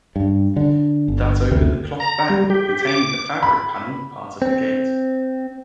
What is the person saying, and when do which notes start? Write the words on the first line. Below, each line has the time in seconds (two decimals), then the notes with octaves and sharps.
That opened the cloth bag containing the fabric panel part of the gate.
0.16 G2
0.56 D3
1.08 G1
1.51 F#1 D2 C3
2.00 A#5
2.30 G3
2.50 G4
2.87 D6
3.43 B5
4.42 C4